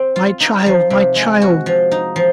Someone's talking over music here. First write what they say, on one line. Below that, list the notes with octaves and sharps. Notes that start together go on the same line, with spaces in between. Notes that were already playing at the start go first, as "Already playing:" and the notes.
'My child, my child!
Already playing: C4
F4
D#4
F3
C3
G#3
F#4
F3
D#4
F3